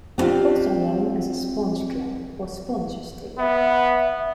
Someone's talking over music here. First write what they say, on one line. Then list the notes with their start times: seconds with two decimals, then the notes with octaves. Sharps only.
Also known as a sponge clamp, or sponge stick.
0.18 B3 C4 D4 D#4 F4 G4
3.39 B3 E5